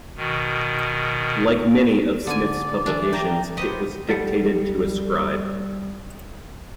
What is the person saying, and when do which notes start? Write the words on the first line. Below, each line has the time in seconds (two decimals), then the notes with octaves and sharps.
Like many of Smith's publications, it was dictated to a scribe.
0.17 B2 D#3
2.27 D3 D5 G#5
2.86 E3 A3 D4
3.13 G5 A5 A#5
3.57 D#3 B3 G4 C5 D#5
4.09 G3 A4 F#5